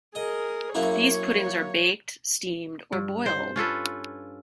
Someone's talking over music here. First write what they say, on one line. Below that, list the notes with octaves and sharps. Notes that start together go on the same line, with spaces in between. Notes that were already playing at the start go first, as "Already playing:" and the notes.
These puddings are baked, steamed or boiled.
G#4 A#4 D#5
F#2 A#3 E4 C#5
G2
C5
C#4 F4 A4 B4